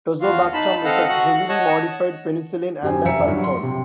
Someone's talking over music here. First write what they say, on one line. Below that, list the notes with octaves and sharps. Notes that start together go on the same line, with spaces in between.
Tazobactam is a heavily modified penicillin and a sulfone.
E2 F3 F4 F#4 F5
D#4 A5 B5
C4 A4 D#5 F5 F#5
F#4 F#5 F#6
C#5 D#5 F#5 A5 C#6
F#2 G4 C5 G#5
F1 E5 A#5 C#7
G2 F#3
C6
C3